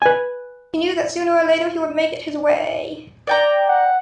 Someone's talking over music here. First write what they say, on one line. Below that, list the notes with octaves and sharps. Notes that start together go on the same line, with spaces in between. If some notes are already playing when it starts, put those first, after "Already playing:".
He knew that sooner or later he would make it his way.
B4 G#5
D5 G5 A#5
F#5